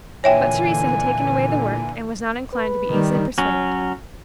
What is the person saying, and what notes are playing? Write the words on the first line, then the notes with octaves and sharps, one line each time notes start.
But Teresa had taken away the work, and was not inclined to be easily persuaded.
A#2 D3 E3 C#5 E5 G5 G#5
B4
D#3 G3
F#3 C#4